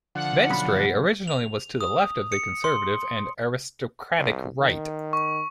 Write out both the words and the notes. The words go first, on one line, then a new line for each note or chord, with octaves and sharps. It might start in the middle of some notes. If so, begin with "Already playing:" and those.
Venstre originally was to the left of the conservative and aristocratic right.
D3 F3 F#5
B1 F#2 B5
F7
D#6
C#7
C6
C2
D#3
C#6